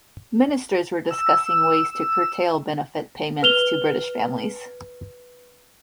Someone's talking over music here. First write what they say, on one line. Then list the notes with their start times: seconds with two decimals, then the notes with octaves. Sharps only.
Ministers were discussing ways to curtail benefit payments to British families.
1.11 E6
3.42 B4 F6 F7 G7